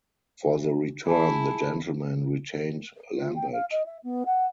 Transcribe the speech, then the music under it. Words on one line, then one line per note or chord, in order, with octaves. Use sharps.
For the return, the Gentlemen retained Lambert.
E4 G#4 G#5 A5
F4
G5
F5
D#5
E5
B3
F#5